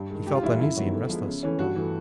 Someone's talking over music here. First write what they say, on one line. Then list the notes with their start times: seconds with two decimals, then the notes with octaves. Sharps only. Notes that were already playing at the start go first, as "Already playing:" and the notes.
He felt uneasy and restless.
Already playing: G2
0.10 D#3 G#3
0.27 G#2 G4
0.35 F4
0.43 E3 G3 E4
0.60 F#2 E4
0.76 D#3 F#3 B3
0.92 D3
1.09 F3 G#3 B3
1.26 C#3
1.43 E3 A3 C#4
1.59 G2 F#4
1.76 E3 A3